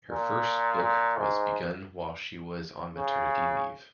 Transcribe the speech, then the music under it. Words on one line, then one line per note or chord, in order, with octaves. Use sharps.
Her first book was begun while she was on maternity leave.
A#2
A#2
G#2
C#3